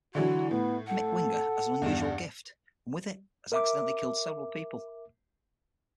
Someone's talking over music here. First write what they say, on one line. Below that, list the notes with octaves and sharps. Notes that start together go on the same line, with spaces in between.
Mick Winger has an unusual gift and with it has accidentally killed several people.
D3 E3 F#3 E4 F#4
A2 B3
A4 F#5
E2 G2
A#4 E5 D6